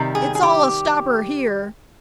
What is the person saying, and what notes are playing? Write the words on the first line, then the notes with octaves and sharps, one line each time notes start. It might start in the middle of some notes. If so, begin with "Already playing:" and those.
"It's all a stopper here."
Already playing: C3 D#3 G3
G#4
G#4
G4